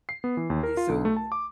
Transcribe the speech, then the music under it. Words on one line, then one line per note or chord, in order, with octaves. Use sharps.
So, i
C7
B3
E3
D#2
A#4
F4
B1
A3
A5
D6